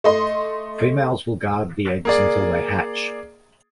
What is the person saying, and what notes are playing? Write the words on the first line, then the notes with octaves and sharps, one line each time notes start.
Females will guard the eggs until they hatch.
A3 D#5 C6
A#3 G#4 D5